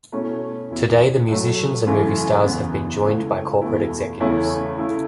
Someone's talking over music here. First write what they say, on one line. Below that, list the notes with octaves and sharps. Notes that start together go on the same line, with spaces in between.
Today the musicians and movie stars have been joined by corporate executives.
B2 A3 C#4 E4
E2 B2 B3 E4
A2 F#3 A3
F#2 C#3 E3 A3
E2 C#3 E3 B3 E4
C#2 C#3 A3 E4
E2 B2 A3 E4
E2 C#3 A3 C#4 E4
C#3 A3 E4